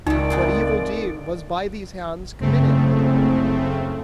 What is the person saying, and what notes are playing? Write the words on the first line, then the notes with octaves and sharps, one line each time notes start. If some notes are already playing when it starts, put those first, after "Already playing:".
What evil deed Was by these hands committed?
C#2 D#3 A3 D#4 D5
C3 B3 C4
F#1 C#3 A3 C4